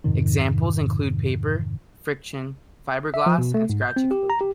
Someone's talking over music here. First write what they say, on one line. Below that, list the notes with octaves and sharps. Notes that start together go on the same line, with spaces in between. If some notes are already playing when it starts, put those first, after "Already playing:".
Examples include paper friction, fiberglass, and scratchy clothing.
F2 G#2 C3 D#3
E5
F3
B2
A3
G#2
G6
C4
G4
A#5
G4